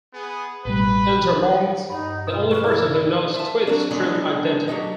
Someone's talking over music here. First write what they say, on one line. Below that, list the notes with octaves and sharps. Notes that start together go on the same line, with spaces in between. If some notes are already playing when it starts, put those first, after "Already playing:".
Enter Monks - the only person who knows Twist's true identity.
B3 G#4
A1 B2 G3 B4
G2 D#4 F#5
B2 F4
B4 C#6 F6
E4 D5
E5 A5
F#3 C4 D4
E3 F#3 G#3 B3 C#4 D4
F#3 G4 A4 D#5